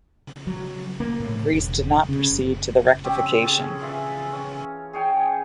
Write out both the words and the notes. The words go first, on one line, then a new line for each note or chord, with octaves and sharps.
Greece did not proceed to the rectification.
F#3
A#3
A2
E1
C#3
F#1
C4 C#4 G4
C#4 G#4 A4
E3 F4 E5
C#4
G#4 C#5 G5 G#5